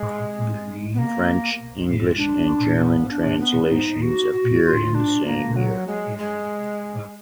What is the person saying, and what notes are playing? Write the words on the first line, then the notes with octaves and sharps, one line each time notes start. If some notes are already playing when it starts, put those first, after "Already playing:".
French, English and German translations appeared in the same year.
Already playing: G#3
B3
A#3
D4
B3
D4
B3
D#4
F#4
F#4
F#4
F4
D4
A#3
F#3
G#3
G#3